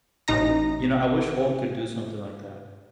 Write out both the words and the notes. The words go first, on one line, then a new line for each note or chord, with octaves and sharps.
You know, I wish Hulk could do something like that.
A1 D#4 A#5 A#6